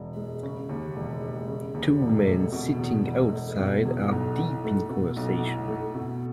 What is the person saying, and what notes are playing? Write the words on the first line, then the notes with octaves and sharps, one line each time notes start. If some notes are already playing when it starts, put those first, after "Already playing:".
Two men sitting outside are deep in conversation.
Already playing: E1
G#3
C#3
D#2
E1
G#3
C#3
D#2
E1
A3
B2
E2
E1
A3
B2
E2
B1
E4
A3
B2
B1
E4
A3
B2